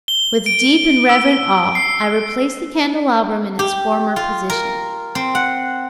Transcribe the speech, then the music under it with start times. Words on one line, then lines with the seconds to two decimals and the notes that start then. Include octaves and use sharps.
With deep and reverent awe I replaced the candelabrum in its former position.
0.08 G7
0.46 D7
1.09 E6
1.75 C7
3.59 G4
4.16 F4
4.50 A#4
5.15 C4
5.35 F#5